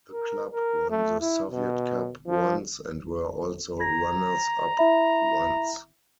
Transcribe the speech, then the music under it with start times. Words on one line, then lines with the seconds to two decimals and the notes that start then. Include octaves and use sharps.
The club won the Soviet Cup once, and were also runners-up once.
0.12 A#4
0.52 A#4
0.90 A3
1.21 E4
1.51 B2
2.27 F3
3.80 A#5 G#6 A#6
4.77 E4 E5 B5